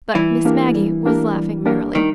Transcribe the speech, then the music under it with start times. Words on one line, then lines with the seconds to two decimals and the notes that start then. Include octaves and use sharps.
But Miss Maggie was laughing merrily.
0.15 E3 G3
0.45 A#3 D4 G4 A#4
0.75 G3
1.05 A#3 D4 G4 A#4
1.35 G3
1.65 A#3 D4 G4 A#4
1.95 D#3 G3